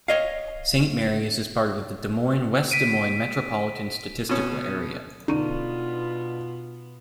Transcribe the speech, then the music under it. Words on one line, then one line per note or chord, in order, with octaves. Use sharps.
Saint Marys is part of the Des Moines-West Des Moines Metropolitan Statistical Area.
C#5 D#5 F5
B6 D7 D#7
B2 C#4
B2 D3 B3 D#4 F4 C#6 D#7